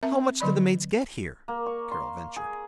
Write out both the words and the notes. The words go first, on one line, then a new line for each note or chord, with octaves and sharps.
"How much do the maids get here?" Carol ventured.
C4 A#4 E5 A5
D3 F#3 D5 B5
A#3
C#6
C6
G#4